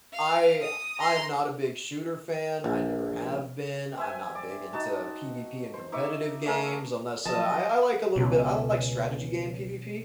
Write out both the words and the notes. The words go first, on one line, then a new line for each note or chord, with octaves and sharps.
I I am not a big shooter fan, I never have been, I'm not big into PvP and competitive games unless a I I like a little bit I don't like strategy game PvP.
F5
D#6
A#5 C6
A#1
C4 E5 G#5
D5
D#4 F#4 A5
C5
D#4 E5 C#6 D6
A3 G#4 A#4 E5
F3 F#3 D#5 A5
C#2 B2 C#4